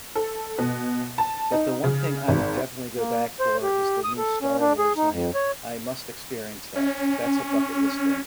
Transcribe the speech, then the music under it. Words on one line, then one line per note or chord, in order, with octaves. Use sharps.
but the one thing I would definitely go back for is the new Star Wars land. I must experience that. That's a bucket-list thing.
A4
B2
A5
D#4
C#3
G#1
A#3
C5
G4
D#6
A4
C#4
D4
G#4
D#4
F2
C#5
C#4